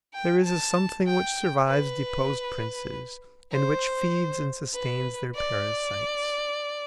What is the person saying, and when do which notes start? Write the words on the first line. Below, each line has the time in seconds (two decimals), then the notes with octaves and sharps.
There is a something which survives deposed princes, and which feeds and sustains their parasites.
0.14 G5
0.44 A5
1.06 G5
1.67 B4
3.51 C5
4.74 B4
5.35 D5